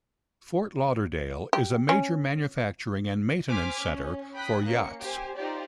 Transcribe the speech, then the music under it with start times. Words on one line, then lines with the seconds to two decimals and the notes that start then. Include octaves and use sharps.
Fort Lauderdale is a major manufacturing and maintenance center for yachts.
1.53 G4
1.89 C#4
3.46 C5 G#5 D6 F6 B6
3.80 C#4
4.34 G5 B5 D#6 F#6 B6
4.65 A#3 C#4 C#7
5.01 G4 C5 G#5
5.37 D#4 F4 G4 C5 D5